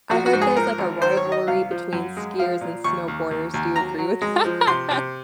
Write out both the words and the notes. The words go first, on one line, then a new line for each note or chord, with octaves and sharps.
I heard there's, like, a rivalry between skiers and snowboarders. Do you agree with that?
A#1 F#4
F#4
G#2
G#4
F3 A#4
G#1
D#3 C5
C#5
D#3
D#5
C2 F5
F3
F#2
G#3
F3 F5
A#2
D#2 C#6
D#2
D#2
D#2
F#3 A#5
F#3
G#3
F3
C3 C6
C3